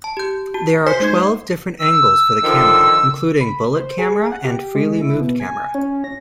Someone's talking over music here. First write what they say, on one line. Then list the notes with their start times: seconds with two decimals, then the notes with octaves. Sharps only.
There are twelve different angles for the camera, including "bullet-camera" and freely moved camera.
0.04 A5
0.17 G4 G6
0.54 F#4 A5
0.86 C5 G#5 B6 C#7
1.00 G#3 D#4 G#6
1.79 E6
2.44 D3 D#3 F3
3.41 B5
3.75 C5
3.99 G#4
4.32 F#5
4.45 G4
4.75 G#3
5.01 E4
5.21 B2
5.40 G#5
5.75 C#4
6.04 A#6